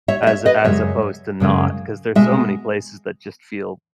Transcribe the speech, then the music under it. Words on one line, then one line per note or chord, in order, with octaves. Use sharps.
as as opposed to not 'cause there's so many places that just feel
C#5 E5
D#5
C#5 E5
B4 D#5
F#2 C#3 G#3 C#5 E5
F#2 C#3 G#3
B2 G#3 E5